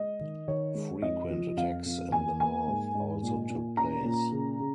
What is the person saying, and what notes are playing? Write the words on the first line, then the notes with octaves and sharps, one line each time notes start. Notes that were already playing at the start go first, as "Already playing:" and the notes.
Frequent attacks in the north also took place.
Already playing: G#3 D#5
D#3
D#3 C#5
G#3
F2 D#5
F3
F2 F5
F2
A#3 G#5
A#3 G#5
G#2
G#2
A#2
A#2
C#4 A#5
A#2
C#3
C#3